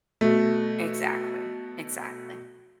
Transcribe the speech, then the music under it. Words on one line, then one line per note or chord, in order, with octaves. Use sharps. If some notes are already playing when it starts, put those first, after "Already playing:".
Exactly, exactly.
B2 A3